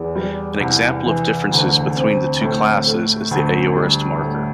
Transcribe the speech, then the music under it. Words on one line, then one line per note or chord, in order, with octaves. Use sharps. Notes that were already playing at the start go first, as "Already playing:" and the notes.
An example of differences between the two classes is the aorist-marker.
Already playing: E2
G3
C2
E3
D2
C4
A2
A3
D2
G3
A2